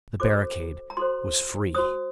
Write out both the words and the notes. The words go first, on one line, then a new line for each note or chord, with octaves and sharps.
The barricade was free.
F#4 A4 C5 D6
A#5
F#4 A4 C5 C6
F#4 C5 D#6